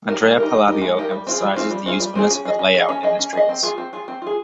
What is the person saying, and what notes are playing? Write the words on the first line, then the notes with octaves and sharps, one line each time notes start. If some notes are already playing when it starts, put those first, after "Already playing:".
Andrea Palladio emphasises the usefulness of the lay-out in his treatise.
D#4 G4 A#4
G#3
D#4 G4 A#4
G#3
D#4 G4 A#4
G#3
D#4 G4 A#4
G3
C4 F4 G#4
G3
C4 F4 G#4
G3
C4 F4 G#4
G3
C4 F4 G#4
C#4
G#4 D#5
C#4
G#4 D#5
C#4
G#4 D#5
C#4
G#4 D#5
C4
F4 G#4
C4
F4 G#4
C4
F4 G#4